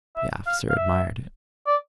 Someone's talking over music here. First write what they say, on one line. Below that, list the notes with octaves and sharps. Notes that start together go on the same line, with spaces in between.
The officer admired it.
E5
F5
F5
E5
D5